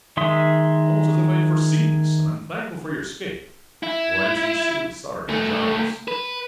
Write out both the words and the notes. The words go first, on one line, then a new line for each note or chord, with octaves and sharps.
It is almost as if I had foreseen this; and I am thankful for your escape, though I am sincerely sorry for Giles.
D#3 G#3 E5 C6 D#6
E4
C2 A3
B4